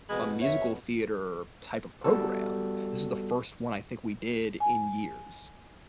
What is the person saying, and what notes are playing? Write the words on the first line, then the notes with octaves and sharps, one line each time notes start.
a musical-theater-type of program, this is the first one I think we did in years,
F2 B2 G#3 B5
C#5 E5
G3 B3 F#4 A4
G#5